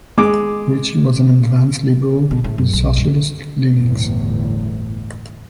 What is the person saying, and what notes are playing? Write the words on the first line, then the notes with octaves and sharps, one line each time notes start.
Ritchie was an advanced liberal with socialist leanings.
G#3 D6
B2
A2
F#2
B1
G2
G1 E2 A2